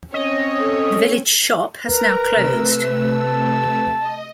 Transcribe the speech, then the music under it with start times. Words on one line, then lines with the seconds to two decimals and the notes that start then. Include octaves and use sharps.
The village shop has now closed.
0.14 C4 C#4 C#5 D#5
0.59 A4
1.87 A#4 B4 A#5
2.35 C3 A3 E6
3.12 A5
3.99 D#5